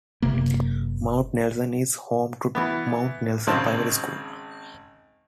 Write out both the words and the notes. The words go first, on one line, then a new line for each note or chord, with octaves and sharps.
Mount Nelson is home to Mount Nelson Primary School.
F#1 C3 A#3
E3 B3
G#1 C#3 C4 C5 A5